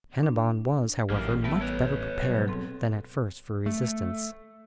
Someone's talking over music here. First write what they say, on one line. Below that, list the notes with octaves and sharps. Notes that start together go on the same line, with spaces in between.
Hennebon was, however, much better prepared than at first for resistance.
D4
A1 F#2 G3 A#3
G3 A3 B3
B3 B4 C#5
B2 F#3 G3
B1 G#2 C4 A4
A3